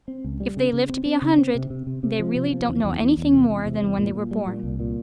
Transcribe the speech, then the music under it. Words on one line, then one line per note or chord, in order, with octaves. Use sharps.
If they live to be a hundred they really don't know anything more than when they were born.
C4
C#2
G3
C#3
C#3
C4
C4
C#3
C4
C3
C3
C3
C3
F3
C3
F3
E2
E2
E2
E2
C3
E2
C3
E2
A#2
A#2
G3
A#2
C2
A#2